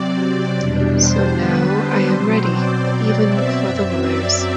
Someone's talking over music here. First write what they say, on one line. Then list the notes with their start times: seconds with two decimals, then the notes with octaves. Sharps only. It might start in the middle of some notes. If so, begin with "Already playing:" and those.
So now I am ready even for the lawyers.
Already playing: C3 F#3 C4 D5
0.56 E2 B2 G3 D4
0.95 C5
1.33 D3 G3 B3 D4 B4
1.71 C5
2.10 B2 F#3 C4
2.48 D5
2.86 B2 F#3 C4
3.26 E5
3.63 F#2 F#3 C4
4.02 D5